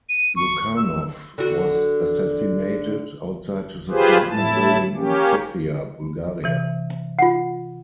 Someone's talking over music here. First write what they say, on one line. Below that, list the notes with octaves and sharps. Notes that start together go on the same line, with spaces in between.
Lukanov was assassinated outside his apartment building in Sofia, Bulgaria.
D#7
C#6
E6
D3 F#4
F4 G4 G#4 B4 C5
A2 E4 A5
A#3 C#4 G4
C3 E3
F4 F#5